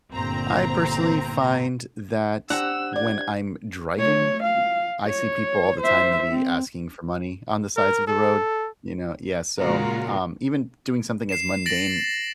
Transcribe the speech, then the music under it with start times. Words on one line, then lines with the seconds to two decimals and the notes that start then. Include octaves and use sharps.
I personally find that when I'm driving, m I see people all the time maybe asking for money on the sides of the road, you know? Yeah, so, um, even doing something as mundane
0.13 G1 A#2 C4 A#5
2.50 D4 G4 C5 F#5 A#5 E6 F#6
2.96 D5 G#6
3.95 A3 C#5
4.42 F5
5.06 C#5
5.80 C5 E5
6.31 C4
7.76 A#4
8.07 A4
9.59 A#2 C#3 G#3 F4 F#4 A#4
11.29 C7 E7
11.66 A6 A#6 D7 F#7